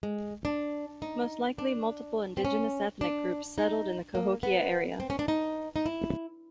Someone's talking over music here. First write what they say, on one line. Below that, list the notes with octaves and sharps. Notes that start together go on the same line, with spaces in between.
Most likely multiple indigenous ethnic groups settled in the Cahokia area.
G#3
D4
D#4
D4
C4
C#4
D4
D#4
A#3
B3
C4
C#4
D4
D#4
D#4
E4